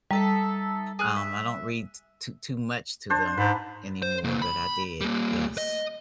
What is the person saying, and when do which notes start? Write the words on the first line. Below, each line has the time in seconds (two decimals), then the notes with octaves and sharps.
Um, I don't read t too too much to them anymore, but I did, yes.
0.11 G3 D#4 A4 E5
0.99 G#4 F6 F#6
1.16 E5
3.10 D4 C5
3.38 G#2 B4
4.02 C5
4.24 C3 A#3
4.42 B5
5.01 G3 A#3
5.58 D#5